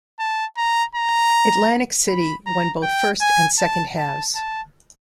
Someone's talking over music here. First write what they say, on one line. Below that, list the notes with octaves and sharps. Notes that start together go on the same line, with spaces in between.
Atlantic City won both first and second halves.
A5
A#5
A#5
B5
A#5
G5
G#5
A5
A5
A5